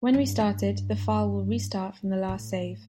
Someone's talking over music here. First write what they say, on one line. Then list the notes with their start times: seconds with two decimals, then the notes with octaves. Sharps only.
When restarted, the file will restart from the last save.
0.14 G2
0.40 G2
2.29 A2